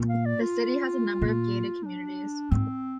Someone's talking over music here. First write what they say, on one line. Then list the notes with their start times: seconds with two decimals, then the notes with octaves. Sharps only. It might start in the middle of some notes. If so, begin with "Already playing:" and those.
The city has a number of gated communities.
Already playing: A#2
0.09 F5
0.26 D5
0.41 F4
1.22 A#2
1.83 D#4
1.87 D4
2.51 G#2 C4